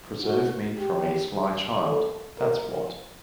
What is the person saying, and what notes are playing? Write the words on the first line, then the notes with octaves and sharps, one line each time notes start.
Preserve me from a sly child, that’s what.
F#4
G4
A4
A#4